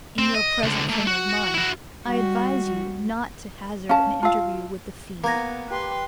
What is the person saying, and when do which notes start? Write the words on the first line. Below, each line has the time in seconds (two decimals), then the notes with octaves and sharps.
In your present frame of mind I advise you not to hazard an interview with the fiend.
0.19 C4
0.35 D#5
0.63 C#2 D3
0.89 A3 A#3
1.07 F#4
1.54 E4 F#4
2.06 G3 F#4
3.89 C#4 F5 A5
4.23 F4 F5 A5 E6
5.24 A#3 B3 G#5 A#5 A#6
5.71 G4 B4 C6